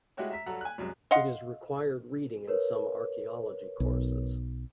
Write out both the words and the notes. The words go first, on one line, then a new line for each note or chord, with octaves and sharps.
It is required reading in some archaeology courses.
G#3 A3 E4 F#4 G4 C#5
E5 A#5 B6
G2 F#3 A4 F#5 A#5
G#5 F#6
C2 F#2 F#3 G#3
D#5 F5 F#5 C6
A#4 B4 C#5
B1